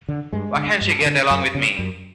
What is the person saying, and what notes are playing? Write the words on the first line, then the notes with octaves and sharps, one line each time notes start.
Why can't she get along with me?
D3
G2 G#3
D3
G2
D3
F#2
C#3
F#2